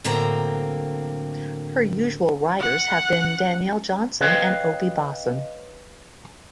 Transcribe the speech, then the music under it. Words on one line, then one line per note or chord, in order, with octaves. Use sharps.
Her usual riders have been Danielle Johnson and Opie Bosson.
A2 D3 F#3 A#3 C4 A#5
F#5
B4 C#5 D#5 F5 G5